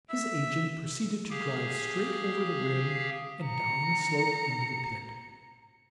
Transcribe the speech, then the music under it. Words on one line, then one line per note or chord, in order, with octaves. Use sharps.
His agent proceeded to drive straight over the rim and down the slope into the pit.
E5
G4 G#4 F5
A#5 C#7